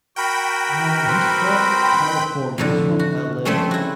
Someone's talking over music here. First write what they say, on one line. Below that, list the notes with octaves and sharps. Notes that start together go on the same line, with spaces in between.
uh, he's from California. He's from LA,
F#4 A#4 G5 B5
C4 B4 C5
F2 A2 D3
F#4
C#3 F3 G3 A3 C4 C#4
E4 F#4